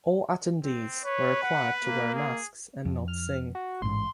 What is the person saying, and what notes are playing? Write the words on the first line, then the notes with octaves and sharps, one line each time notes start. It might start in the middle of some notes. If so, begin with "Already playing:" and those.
All attendees were required to wear masks and not sing.
C4
B4 C#5
F#5
A#3
G#4
F2
F6
F#4
A1 G#2 C6